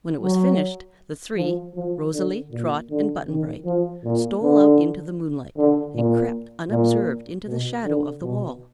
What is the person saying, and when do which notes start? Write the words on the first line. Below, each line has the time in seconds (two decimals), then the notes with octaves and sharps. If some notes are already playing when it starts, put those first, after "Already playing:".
When it was finished, the three--Rosalie, Trot and Button-Bright--stole out into the moonlight and crept unobserved into the shadow of the wall.
0.22 F#3
1.36 F3
1.75 F3
2.13 D3
2.51 A#2
2.90 D3
3.27 D#3
3.65 F3
4.04 A#2
4.42 D3
5.56 D3
5.94 A#2
6.70 A#2
7.47 B2
7.85 D3
8.23 B2